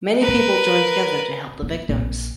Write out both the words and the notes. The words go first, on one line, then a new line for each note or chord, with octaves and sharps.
Many people joined together to help the victims.
A#4 B4
B3
A#1